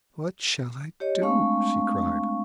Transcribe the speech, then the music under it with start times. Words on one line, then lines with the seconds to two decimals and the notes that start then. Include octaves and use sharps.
"What shall I do?" she cried.
1.00 G4 C#5 D#5
1.21 G#3 A3 C4 D4 F5 C#6